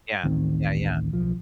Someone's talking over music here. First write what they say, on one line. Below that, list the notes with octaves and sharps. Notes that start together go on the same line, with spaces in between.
Yeah. Yeah, yeah.
D1 A1 D#3 C4
B1 F3